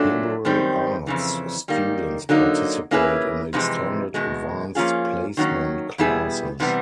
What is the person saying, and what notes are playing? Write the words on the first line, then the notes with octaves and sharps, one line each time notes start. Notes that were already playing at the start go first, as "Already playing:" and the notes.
Liberal Arts students participate in extended Advanced Placement classes.
Already playing: A#2 F#3 A3 D4
F#2 D#3 G3 C4
F2 C#3 E3
D#3 G3 A#3
D3 F#3 A#3 D#4
A#3 C#4 E4 G#4 B4
F2 C3 E3 G#3
E2 B2 G#3
F3 A#3 C#4 F4 G#4
D#3 F#3 A#3 C#4
B2 G3 B3 E4 G#4
C3 E3 G3 B3